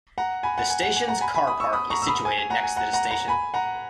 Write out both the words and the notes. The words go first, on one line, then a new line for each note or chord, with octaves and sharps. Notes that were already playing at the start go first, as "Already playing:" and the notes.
The station's car park is situated next to the station.
F#5 A#5
G#5 B5
F#5
G#5
F#5
G#5
F#5 A#5
G#5 B5
G#5 B5
B5 D#6
C#6 E6
B5 D#6
A#5 C#6
E6
B5 D#6
G#5
G#5
F#5 A#5
G#5
F#5 A#5
F#5 A#5
F#5 A#5
G#5 B5
F#5 A#5